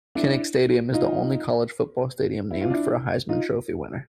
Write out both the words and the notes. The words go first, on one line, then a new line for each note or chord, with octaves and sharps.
Kinnick Stadium is the only college football stadium named for a Heisman Trophy winner.
D4 E4
D#4 F4
E4
F4
D4 E4
D#4 F4